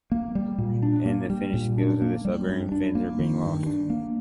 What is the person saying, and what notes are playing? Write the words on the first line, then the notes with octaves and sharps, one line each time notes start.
And the Finnish skills of the Siberian Finns are being lost.
A#3
G3
A#2
D4
A#3
G3
A#2
D4
A#3
G3
G2
D4
A#3
D#3
G2
D4
A#3